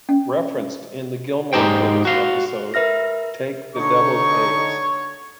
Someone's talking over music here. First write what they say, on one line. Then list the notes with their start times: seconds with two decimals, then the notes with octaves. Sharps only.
Referenced in the Gilmore Girls episode, "Take the Deviled Eggs..."
0.09 C#4
1.53 G#2 G#3 D#4 G4 C5 G5
2.05 F#4 F5
2.74 A#4 B4 E5 F6 A#6
3.75 D3 D#4 C#5 C#6